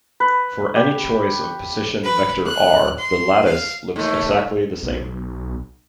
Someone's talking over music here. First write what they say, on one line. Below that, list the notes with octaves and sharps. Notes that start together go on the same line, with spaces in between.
For any choice of position vector R, the lattice looks exactly the same.
B4
G4
B4
F#6
C6
F5
D#2 A3
B1